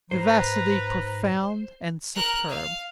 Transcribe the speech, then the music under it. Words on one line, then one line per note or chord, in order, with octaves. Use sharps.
Vivacity profound and superb!
G#2 B4 C5 A#5
A#4 F#6
F5